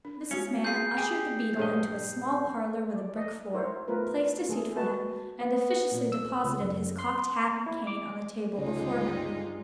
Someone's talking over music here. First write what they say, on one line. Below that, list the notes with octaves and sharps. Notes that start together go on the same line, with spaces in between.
Mrs. Mann ushered the beadle into a small parlour with a brick floor; placed a seat for him; and officiously deposited his cocked hat and cane on the table before him.
D4
G#3 B3 C#4 F#4 C#7
F4 G#4 G6 C7
G4 G#4 G5 G#5
A#1 G2 G#4 C#5 D#5
D5
D#5
E4 A#4 C5 C#5
A3 B3 F4 A#4 B4
A3 A#3 G#4 A4
A#3 F#4 B4 A5
B3
A#2
E6
C#2
F#2
C6
E4
D6
G1 C#2 G3 G#3 C#4 D#4 F4